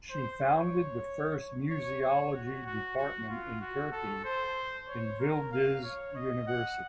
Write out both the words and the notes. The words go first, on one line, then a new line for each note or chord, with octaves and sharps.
She founded the first Museology department in Turkey in Yildiz University.
C5
C#5
C#5
C#5
F#4
F#4
F#4
F4
F#4
A4
C5
C#5
A#4
F5
C#5
D#5
F#5